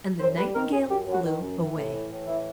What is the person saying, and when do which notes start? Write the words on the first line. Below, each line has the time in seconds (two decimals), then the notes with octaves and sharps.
And the Nightingale flew away.
0.20 F#2 C5
0.38 G3 B4
0.55 D#3 A#4
0.72 F#2 G#4
0.89 F#2 G4
1.06 F#2
1.12 F#4
1.24 D#3
1.41 F#2
1.58 E3
1.75 A2
1.93 E3
2.10 A2
2.27 E3 E4